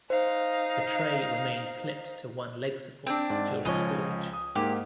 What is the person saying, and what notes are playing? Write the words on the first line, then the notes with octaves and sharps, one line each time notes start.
The tray remained clipped to one leg support during storage.
D#4 C5 F5
C4 D4
G#2 D5
C#2 F3 C#5 D#5 G#5
D#6
G#2 A#3 G4